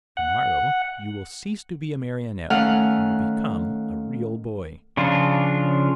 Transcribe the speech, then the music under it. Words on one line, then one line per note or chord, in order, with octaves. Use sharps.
"Tomorrow you will cease to be a Marionette and will become a real boy."
F#5
D#3 A3 C#4 F5 F#5
C#3 F3 D4 F4